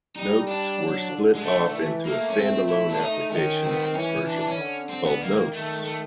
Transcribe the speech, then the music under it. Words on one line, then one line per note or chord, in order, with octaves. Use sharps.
Notes were split off into a stand-alone application in this version, called Notes.
G3 D#4
D4
F#3
D3
G#3
A3
E3
A3 A#3
C#4
A3 C4
E4
D4
A3 D#4
D#3 C#4
C4
B3
C4
E3 C#4
D4
D4
C#4
D3
C4
B3
D#3 A#3
D#3 A3
A3